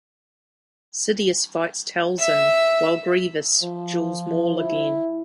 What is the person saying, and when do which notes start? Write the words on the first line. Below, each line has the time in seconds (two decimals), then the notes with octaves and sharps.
Sidious fights Talzin while Grievous duels Maul again.
2.20 E5
3.63 F3
4.59 E4